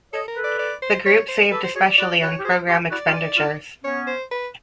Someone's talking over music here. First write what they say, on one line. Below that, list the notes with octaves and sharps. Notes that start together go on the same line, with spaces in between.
The group saved especially on program expenditures.
A4 C#5 D#5
A#4
A4 B4
D5
D5
C5
C#5
C5
G4 A4 B4
C5
F#4 G#4 C#5
D5
E4 F#4 D5
E4 F#4 C#5
G4
F#4 G#4 C5
F4 G4
E4 F#4 D5
D#4 F4
D#4 F4
B3 C#4 C#5
C5
B4